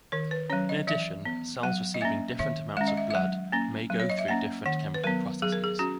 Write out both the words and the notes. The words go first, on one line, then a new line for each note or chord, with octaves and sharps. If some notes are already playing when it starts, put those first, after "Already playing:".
In addition, cells receiving different amounts of blood may go through different chemical processes.
D#3 A#4
B4
F#3 C#4 C#5
D#5
E3 E5
B3
F#3 F#5
D#5
A#3 C#4 E5
D#3 E5
G#3 C#4 E5
D#5
E5
E5
F#3 F#5
A#3 C#4
F#3
C#5
D#5
E5
A#3 C#4 F#5
D#3 F#5
B4
F#3 B3 A#4
F#3 G#4
A#4
G#4
C#4 F#4